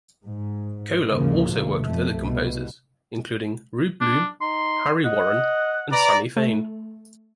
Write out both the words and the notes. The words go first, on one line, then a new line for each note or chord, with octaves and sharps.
Koehler also worked with other composers, including Rube Bloom, Harry Warren and Sammy Fain.
G#2
D#2 G#2 C#3 F3 A#3
D2 B2 A#3
F2 A3
C2 B2
D4
D#4 C6
D#5 F#5
B4 D5 A#5
A3